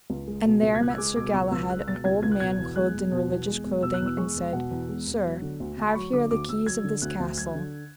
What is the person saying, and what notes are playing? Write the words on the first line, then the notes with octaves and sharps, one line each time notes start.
And there met Sir Galahad an old man clothed in religious clothing, and said: Sir, have here the keys of this castle.
C#2
G#3
B2
C#2
G#6
C#2 F#6
E6
G#3 D6
B2 D6
C#2 C#6
C#2 E6
G#3 F#6
B2 A6
C#2 G#6
C#2 G#6
F#6
B2 G#6
E2
G#3 F#6
E1
B2
E2
G#3
E1
B2 E6
F#6
E2
E6
G#3 C#6
E1
B2 F#5
E2
G#3
E1
F#3
D3
D2
D2 A5
B5
F#3 C#6
D3 D6
D2 D6
D2 E6
F#3 G#6
D3
D2 F#6
D2
F#3 G#6
D3